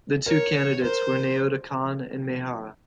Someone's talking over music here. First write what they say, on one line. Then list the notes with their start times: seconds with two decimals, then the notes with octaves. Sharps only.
The two candidates were Naoto Kan and Maehara.
0.26 A#4 C#5
0.82 A#4 C5